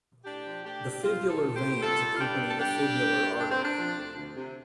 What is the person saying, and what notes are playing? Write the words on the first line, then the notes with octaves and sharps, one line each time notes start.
The fibular veins accompany the fibular artery.
A2 D4 G4
F3
A3 D4 G4
A2
A2 C4 F4
F3
F4 A4
A3
G4 C5
A2
G3 F4 A4
G3
F4
G2 D4 G4
G2
A4
G3 D4 G4
G3
G2
G2
D2 D4
C4
C3
D4
F3
D2
D2
C3